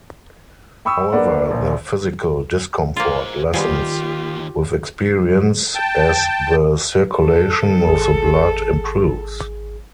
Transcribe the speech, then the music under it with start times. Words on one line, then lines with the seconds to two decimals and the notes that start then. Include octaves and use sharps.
However, the physical discomfort lessens with experience as the circulation of the blood improves.
0.85 G5 B5 C#6 D#6 E6
1.13 A#3 D4 B4 D5 F#5
1.51 A#1 A#2
2.96 A#3 F4 G#4 C5
3.54 D#2 D#3 F3 G3 B3 F4 G4 G#4
5.75 G5 A5
7.19 A4
7.87 G#1 G#4